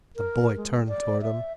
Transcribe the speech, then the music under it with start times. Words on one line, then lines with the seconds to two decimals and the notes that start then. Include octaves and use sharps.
The boy turned towards him.
0.16 A#4
0.57 G#3
0.88 D5
1.22 E5